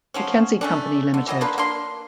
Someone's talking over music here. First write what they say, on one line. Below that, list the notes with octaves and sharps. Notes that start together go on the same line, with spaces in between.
McKenzie Company, Limited.
F3 F#3 C#4
A3 C#4 D4
D3
E3 F#3 D#5
A#3 D4 F4 B4
A#3 D4 C6